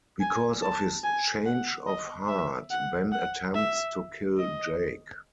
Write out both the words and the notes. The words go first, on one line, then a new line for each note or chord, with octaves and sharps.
Because of his change of heart, Ben attempts to kill Jake.
G#5
A5
G#5
F#5
D#5
E5
F#5
F#5
E5
D#5